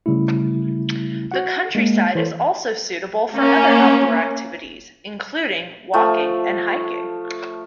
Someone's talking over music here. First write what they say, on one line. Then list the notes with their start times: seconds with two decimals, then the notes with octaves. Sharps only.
The countryside is also suitable for other outdoor activities, including walking and hiking.
0.06 C#3 G3 A3 E4
1.31 F#4 F#5
1.75 G#3 A#3
2.15 E3 C5 C#5
3.34 A#3 C#4
5.94 F3 A3